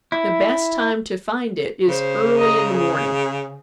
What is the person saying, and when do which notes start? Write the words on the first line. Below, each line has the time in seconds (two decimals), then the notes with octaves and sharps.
The best time to find it is early in the morning.
0.12 E4
1.88 C#3 C5
2.38 D#5 A#5
2.71 G#4